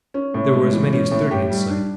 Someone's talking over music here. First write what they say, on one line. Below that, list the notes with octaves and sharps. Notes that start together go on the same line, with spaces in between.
There were as many as thirty in sight.
C#4
A2
G#3
E3
C#4
A2
G4
G3
D4